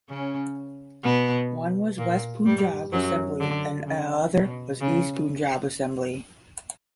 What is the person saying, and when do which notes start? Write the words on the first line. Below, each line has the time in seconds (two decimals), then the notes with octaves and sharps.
One was West Punjab Assembly and other was East Punjab Assembly.
0.09 C#3 C#4
1.03 B2 B3
1.98 A#2 A#3
2.45 G2 G3
2.92 F#2 F#3
3.40 D3
3.87 C#3
4.34 B2
4.81 C#3